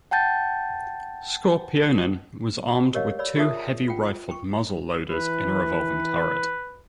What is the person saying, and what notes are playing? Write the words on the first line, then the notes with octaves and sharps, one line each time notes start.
"Skorpionen" was armed with two heavy rifled muzzle-loaders in a revolving turret.
F#5 G5 A5 G6 A6
G4 A#4 C#5 D#5 F5
C#5 D5 B5 E6
F4 G#4 A#4 E5 A5 D#6
F4 F#5 G5
G5 C#6
E3 B4